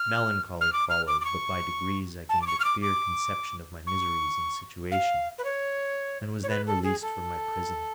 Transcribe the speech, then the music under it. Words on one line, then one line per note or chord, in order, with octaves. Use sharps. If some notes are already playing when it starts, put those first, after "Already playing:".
Melancholy followed, but by degrees I gained a clear conception of my miseries and situation and was then released from my prison.
Already playing: F6
F6
D6
F6
D6
D6
C#6
A5
D6
C#6
F6
D6
D6
C#6
F5
B4
C#5
C#5
B4
A4
G#4
A4